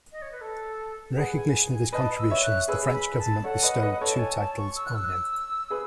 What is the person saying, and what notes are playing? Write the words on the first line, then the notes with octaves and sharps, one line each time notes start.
In recognition of his contributions the French government bestowed two titles on him.
D#5
C#5
B4
A4
G#4 B4 F#5
G#5
G#5
G#5
B4 D#5 A5
E6
C#5 E5
F#6
G#4 B4 E6
B5
A5
A4 C#5 F#5
B4 D#5
B4 D#5
A4 C#5
A5
G#5
A5
C#6
E6
F#6
E6
G#4 B4